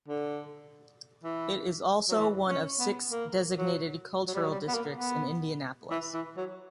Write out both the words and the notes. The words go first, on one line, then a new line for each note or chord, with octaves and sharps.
It is also one of six designated cultural districts in Indianapolis.
D3
E3
F#3
E3
C#4
B3
A#3
F#3
F#3
G3
F#3
G3
B3
A#3
B3
E3
E3
F#3